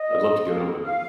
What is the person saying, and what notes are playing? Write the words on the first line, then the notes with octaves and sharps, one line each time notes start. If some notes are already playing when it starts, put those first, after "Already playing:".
I'd love to get over that.
Already playing: D#5
A#2
F3 A#3 F4
F5